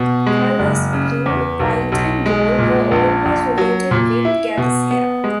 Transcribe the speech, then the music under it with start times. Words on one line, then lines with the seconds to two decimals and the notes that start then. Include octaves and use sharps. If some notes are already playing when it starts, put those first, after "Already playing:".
Colors blue, white and gold were always related with Galicia.
Already playing: B2
0.26 G#3
0.59 F#1
0.93 C#3
1.26 E2
1.59 B1
1.92 B1
2.26 G#3
2.58 A#2
2.91 A#1
3.25 A#1
3.58 F#3
3.91 A#2
4.25 E4
4.57 B2
4.91 B3
5.24 G#3